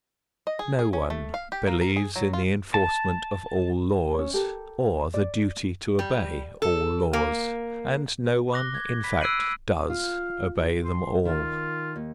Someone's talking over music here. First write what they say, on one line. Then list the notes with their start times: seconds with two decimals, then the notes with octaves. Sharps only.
No one believes in the enforcement of all laws or the duty to obey all laws, and no one, in fact, does obey them all.
0.47 D#5
0.59 G#4
0.79 G#4
0.93 C#4
1.10 A3
1.34 F5
1.52 G4
1.67 A#3
1.81 A#4
1.96 G#4
2.16 F#3
2.33 F4
2.74 A5
4.14 C#4 C#5
4.34 G4 A4 A#4
5.14 D5
5.99 G3
6.62 A4
7.13 A#3
8.53 D6 F#6 A#6 G7
8.75 G#6
9.04 B5 B6
9.21 E6 F#6 C7 D7 D#7 F#7
9.90 F4 F5
10.85 C6
11.25 D#3 F4
11.96 D#2